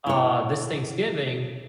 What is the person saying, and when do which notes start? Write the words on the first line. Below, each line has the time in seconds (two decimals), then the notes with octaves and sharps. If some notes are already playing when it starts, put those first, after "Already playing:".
r uh, this Thanksgiving,
0.06 E4 C#5